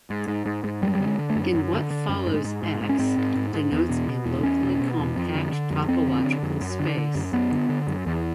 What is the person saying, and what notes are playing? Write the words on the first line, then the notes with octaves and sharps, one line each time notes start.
In what follows "X" denotes a locally compact topological space.
G#2
G#2
G#2
G#2
F#2 G3
D3 G3
G#3
D3
A3
F#2
F#2
D3
D3
F#2
G#2
G#2
G#2
G#2
C#4
G#2 C4
G#2
G#2
G#2
E2
B2
B2
E2
E2 C#4
B2
B2
E2
F2
D3
D3
F2
F2 C4
D3
D3
F2
F#2
D3
D3
F#2
F#2 B3
D3
D3
F#2
E2